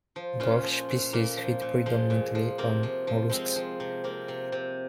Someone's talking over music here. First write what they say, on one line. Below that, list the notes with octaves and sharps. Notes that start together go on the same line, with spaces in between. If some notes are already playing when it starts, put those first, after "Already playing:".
Both species feed predominantly on molluscs.
F3
A#2 C#4 F4
F3
A#2
A#2 A#3
F3
A#2
F3 G#3
A#2
F3
C3 A#3
F3
F3
F3 G#3 C4
F3
C3
C3 A#3
C3
C3